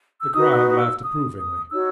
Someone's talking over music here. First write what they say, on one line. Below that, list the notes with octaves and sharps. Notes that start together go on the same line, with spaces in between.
The crowd laughed approvingly.
E6
D#4 F#4 B4 D#6
E6
D#6
D#6
E6
D#6
D#6
D#4 F#4 C#5 E6